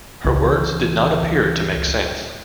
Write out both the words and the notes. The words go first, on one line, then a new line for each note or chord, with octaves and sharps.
Her words did not appear to make sense.
C#2 E3